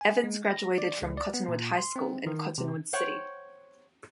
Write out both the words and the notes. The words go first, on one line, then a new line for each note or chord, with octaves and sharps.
Evans graduated from Cottonwood High School in Cottonwood City.
G#5
G#3
A#6
D5
C#2
D5
B3
A#2
C6
C4
D#3
C3
C5 C#5 F#5 G5